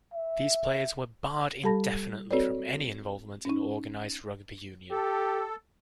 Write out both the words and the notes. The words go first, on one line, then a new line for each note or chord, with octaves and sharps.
These players were barred indefinitely from any involvement in organised rugby union.
E5
G3 G4 A4 A5 B5 A#6
C4 F#4 A4 B4 C#5 D5
C#4 D#4
G4 A4